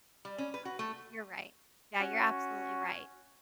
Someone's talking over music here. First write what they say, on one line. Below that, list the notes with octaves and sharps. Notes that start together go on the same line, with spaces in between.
You're right. Yeah, you're absolutely right.
G3
C#4
B4
F#4
A3
C#4 F#4